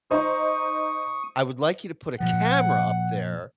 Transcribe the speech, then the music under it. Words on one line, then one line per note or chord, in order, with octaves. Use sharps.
I would like you to put a camera up there,
D#4 C5 C#6 D#6
A#2 F3 F#5